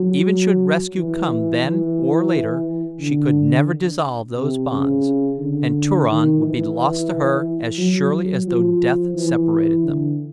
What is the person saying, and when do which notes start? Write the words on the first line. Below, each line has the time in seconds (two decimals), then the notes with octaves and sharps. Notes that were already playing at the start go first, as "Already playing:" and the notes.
Even should rescue come then or later she could never dissolve those bonds and Turan would be lost to her as surely as though death separated them.
Already playing: F#3
0.96 E3
1.64 E3
3.00 D3
4.37 C3
4.72 C#3
5.39 D3
6.08 D#3
6.42 E3
7.78 F#3
8.13 F#3
8.47 F3
9.15 E3
9.84 D3